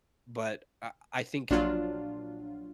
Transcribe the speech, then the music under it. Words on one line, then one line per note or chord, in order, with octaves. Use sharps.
but, I I think,
A#1 F#3 D4 F4